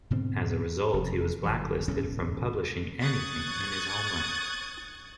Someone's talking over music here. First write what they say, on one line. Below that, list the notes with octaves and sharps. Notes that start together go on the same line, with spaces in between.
As a result, he was blacklisted from publishing anything in his homeland.
G#2 B2 D3 C4
F1
G1 E3 F#3
D1 B1 G#2 C#4
C#6 D#6 F#6 G#6 A6